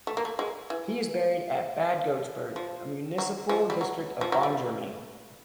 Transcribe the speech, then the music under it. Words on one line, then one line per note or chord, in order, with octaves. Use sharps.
He is buried at Bad Godesberg, a municipal district of Bonn, Germany.
A3
A#3
A3
G#3
E3
F3
F#3
F3
G3
F#3
F3
F#3
G3